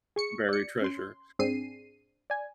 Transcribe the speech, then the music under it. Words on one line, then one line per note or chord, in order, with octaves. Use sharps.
buried treasure,
G#4 C#6 C#7
D5 C#7
C#4 C6
G#2 C4 D4 G#4 C7 D#7
D5 G#5